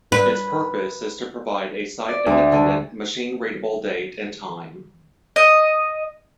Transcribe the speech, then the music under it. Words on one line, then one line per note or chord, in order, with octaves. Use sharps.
Its purpose is to provide a site-independent, machine readable date and time.
B4
D5
D2
D3
D#5